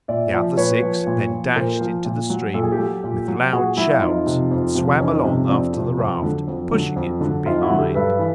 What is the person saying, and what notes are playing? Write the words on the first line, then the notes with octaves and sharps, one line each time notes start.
The other six then dashed into the stream with loud shouts and swam along after the raft, pushing it from behind.
A#2 D5 E5
F3
A#2 B4 C#5
F3
A#2
F3
A#2 A#4 C5
F3
A#2
F#3
A#2 A4
G#4
G4 A4
F#3
A#2
F#3
A#2 F#4 G#4
F#3 E4 F#4
F2 D#4 F4
C3 F3
F2
C3 F3
F2 C#4 D#4
C3 F3
F2 C4 D4
C3 F3
F2
D3 F#3
F2
D3 F#3
F2
D3 F#3
F2 D#4 F4
E4 F#4
D3 F#3
G4 A4
G2 A4 B4
E3